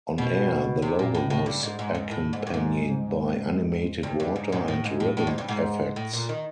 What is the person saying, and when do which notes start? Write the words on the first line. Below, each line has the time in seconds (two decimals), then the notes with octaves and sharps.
On-air, the logo was accompanied by animated water and ribbon effects.
0.18 B2
0.82 C3
0.99 A#2
1.15 A2
1.30 A2
1.46 G2
1.63 G#2
1.79 G#2
1.95 G#2
2.11 A2
2.33 G#2
2.47 G2
2.54 G#2
4.03 G2
4.20 G2
4.36 G#2
4.52 G#2
4.68 A2
4.84 G#2
5.00 A2
5.17 A2
5.27 G#2
5.38 G2
5.48 G#2
5.96 A2
6.13 A#2
6.29 D#3